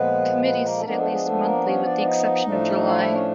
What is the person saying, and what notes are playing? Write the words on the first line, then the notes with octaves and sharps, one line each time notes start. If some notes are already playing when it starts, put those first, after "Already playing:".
Committees sit at least monthly with the exception of July.
Already playing: A#2 F3 G#3 B3 B4
B3 B4
A#3 A#4
A4
F3 G#3 A#3 B3 D4 A#4
A3 A4
G#3 G#4
A3 A4
A#3 A#4
C#4 C#5
D4 D5
D5
D#4 D#5
A2 F3 A3 D4
F4 F5
E4 E5
C#4 C#5